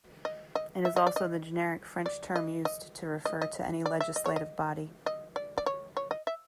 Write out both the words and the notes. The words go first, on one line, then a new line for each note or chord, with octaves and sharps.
It is also the generic French term used to refer to any legislative body.
D#5
D#5
E5
D#5
D5
D#5
D5
D#5
D#5
D#5
D#5
D5
E5
D#5
C#5
D#5
D#5
D5
D5
C#5
C#5
D#5
E5